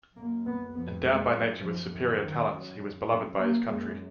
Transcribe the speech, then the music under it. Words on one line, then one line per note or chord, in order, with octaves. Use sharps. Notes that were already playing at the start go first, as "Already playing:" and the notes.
Endowed by nature with superior talents, he was beloved by his country.
F#2 A#3
B3
F2 B3
G#3
F#2
F3
F#2 D#3
D#3
F#2 F#3
F#2
A#3
F#2 G#3